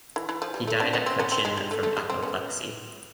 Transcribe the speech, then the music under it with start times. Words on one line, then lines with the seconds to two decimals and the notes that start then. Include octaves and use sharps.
He died at Cochin from apoplexy.
0.16 E3
0.29 E3
0.42 F3
0.54 G3
0.67 A3
0.80 C4 D4
0.93 B3 C#4
1.06 C4
1.19 B3 C#4
1.32 C4
1.45 G#3
1.57 G3
1.71 A3
1.83 A3
1.97 G#3
2.10 C4
2.23 B3 C#4